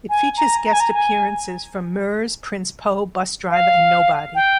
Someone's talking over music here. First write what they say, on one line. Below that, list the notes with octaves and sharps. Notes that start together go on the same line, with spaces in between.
It features guest appearances from Murs, Prince Po, Busdriver and Nobody.
G#5
A#5
A#5
G#5
A#5
G#5
F5
G5